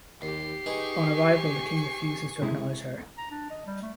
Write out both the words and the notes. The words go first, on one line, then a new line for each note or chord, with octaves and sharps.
On arrival the king refuses to acknowledge her.
D#2 G4 C7
D#4 G#4 B4 G#5 C#6
C3 G#3 E4
A#5
D4
D#5
G3
A3